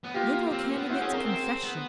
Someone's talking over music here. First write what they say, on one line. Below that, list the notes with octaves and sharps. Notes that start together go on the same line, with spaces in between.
Liberal Candidate's Confession.
B3
A#3 F4 G4
C4
A#3
B3
C4 E4 F#4
C#4 F#4 G#4
C4 G#4 A#4
C4
B3